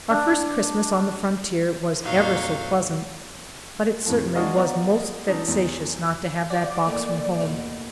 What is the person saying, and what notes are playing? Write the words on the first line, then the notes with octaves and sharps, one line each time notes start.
OUR first Christmas on the frontier was ever so pleasant, but it certainly was most vexatious not to have that box from home.
D4
F2 A#2 F#3 D#4 F5
F2 A2 E3
C3
F#3 G#3 D4 F#4 D#5 F5
B3 F4 D5 D#5 F#5 A#5
E3 D4 D#4
E2 D#4
F#4 D5
A#2 D#3 A3
D#2 B2 A3